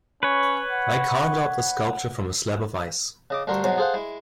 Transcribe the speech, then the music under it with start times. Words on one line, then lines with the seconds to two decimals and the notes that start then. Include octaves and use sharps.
I carved out this sculpture from a slab of Ice.
0.23 C#4 B4 C#5
0.71 F#5
3.30 C#3 D#5 D6
3.47 D2 G2 D3 A#4 C6 C#6
3.64 G#2 B2 F#3 G#3
3.78 G#4 A4 C5 F5 F#5
3.94 G#3 E4